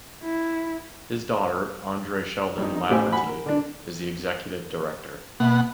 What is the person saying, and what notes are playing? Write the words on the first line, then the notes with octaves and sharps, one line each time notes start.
His daughter, Andrea Sheldon Lafferty, is the executive director.
E4
G2 D#4
D#4
A1 A2 G4 C5 F5 G#5
F#5 G#5 B5
A#4
D3 D4
B2 A#3 E5 F#5 B5